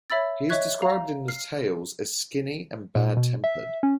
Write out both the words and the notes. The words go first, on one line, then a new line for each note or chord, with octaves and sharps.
He is described in the "Tales" as skinny and bad-tempered.
C#5 E5 B5 E6 A6
C#5 D#5 E5 C#6 F#6 G#6
F5 A#5
F6 C7
A#2
B2
E5
C#4